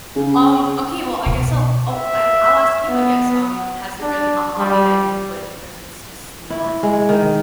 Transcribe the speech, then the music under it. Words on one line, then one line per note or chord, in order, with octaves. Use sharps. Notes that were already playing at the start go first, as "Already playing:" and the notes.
Um, okay, well, I guess I'll oh, I I'll ask you, I guess, um, has there been a hobby that you've quit because it's just not
C#3
B2
E5
B3
D4
G3
E4
G#3
D#3